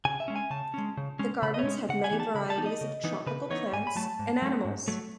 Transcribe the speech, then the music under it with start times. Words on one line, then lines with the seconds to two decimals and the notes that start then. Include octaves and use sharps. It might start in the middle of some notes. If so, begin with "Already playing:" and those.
The gardens have many varieties of tropical plants and animals.
0.05 C#3 G#5
0.20 E5
0.28 G#3 C#4
0.36 G#5
0.50 C#3 A5
0.74 G#3 C#4
0.97 C#3
1.19 G#3 C#4
1.42 C#3 B5
1.54 D#5
1.59 C#5
1.66 G#3 C#4
1.89 C#3 F#5
2.04 G#5
2.11 E3 B3 D#4
2.20 A5
2.35 C#3 B5
2.50 A5
2.58 E3 B3 D#4
2.66 D#5
2.81 C#3
3.04 E3 B3 D#4
3.26 C#3 B4
3.50 E3 B3 D#4 C#5
3.73 G#2 G#5
3.87 B5
3.96 F#3 A3 A5
4.19 G#2
4.42 F#3 A3
4.65 G#2
4.88 F#3 A3